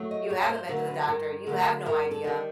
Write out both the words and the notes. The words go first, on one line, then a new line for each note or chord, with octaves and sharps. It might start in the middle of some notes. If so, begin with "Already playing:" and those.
You haven't been to the doctor, you have no idea,
Already playing: F#3 A3
D#5
G2 C#5
C5
D3 F#3 A3 A#4
B4
G2 A#4
D3 F#3 A3 A#4
G2 A#4
A4
D#3 G3